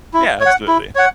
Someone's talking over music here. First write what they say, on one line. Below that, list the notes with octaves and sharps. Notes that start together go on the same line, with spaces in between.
Yeah, absolutely.
E4
C#5
F#5
E4
C#5 F#5